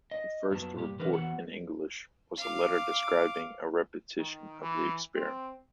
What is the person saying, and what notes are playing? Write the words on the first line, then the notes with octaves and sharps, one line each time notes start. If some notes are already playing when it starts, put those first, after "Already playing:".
The first report in English was a letter describing a repetition of the experiment.
D#5
F#2 F#3 B3 A5
G2 A#2 G4
D3 E3 G4 A#4 B4
E2 E3 B3 F#4 F#5
F5 D6
D#3
E3
C4